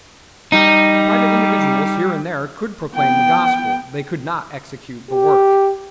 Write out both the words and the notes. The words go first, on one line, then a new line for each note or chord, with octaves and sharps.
Private individuals here and there could proclaim the gospel; they could not execute the work.
G3 D#4
B3 G5
G4